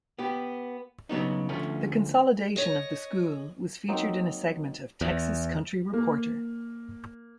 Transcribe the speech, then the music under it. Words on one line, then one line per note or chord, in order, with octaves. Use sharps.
The consolidation of the school was featured in a segment of "Texas Country Reporter".
B3 G4
C#3 F#3 B3 D#4
D2 F3 A3 C#4
C#5 D#5
F#3 A#3 C4 D#4
E2
A#3